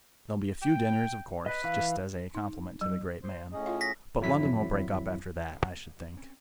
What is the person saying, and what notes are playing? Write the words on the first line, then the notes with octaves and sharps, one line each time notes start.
There'll be a few dinners of course, just as a compliment to the great man,--but London will break up after that, I should think.
G5
B4 D#5
E3 F5
D#4
F#3
C5
A2 C#4 G#4 D#5
F4 F5
A#6 B6
G#1 F2 F#3 E4 B6
D#1 A1
E2 G2 A#3 C4
A#1
F#1
C4 C#4